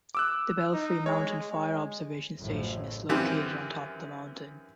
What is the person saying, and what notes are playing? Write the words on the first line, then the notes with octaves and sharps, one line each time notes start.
The Belfry Mountain Fire Observation Station is located on top of the mountain.
D6 E6 F#6
D#4
G#3 C#5
G#3
A1 F#2 A2 C#3 F3
F#2 D#3 E3 C4 G4